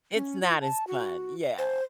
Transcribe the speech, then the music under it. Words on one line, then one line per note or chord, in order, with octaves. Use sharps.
It's not as fun, yeah,
C#4
F4
A5
F#4
C5